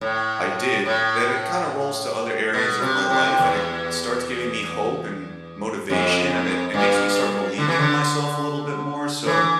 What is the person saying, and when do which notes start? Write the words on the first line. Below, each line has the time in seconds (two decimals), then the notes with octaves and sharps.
I did- then it kinda rolls to other areas of my life and it starts giving me hope, and motivation, and it it makes me start believing in myself a little bit more, so
0.01 A2
0.86 A2
2.53 B2
2.82 C3
3.10 C3
3.38 E2
5.90 F2
6.74 G2
7.58 D3
7.68 E3
7.79 D3
9.26 E3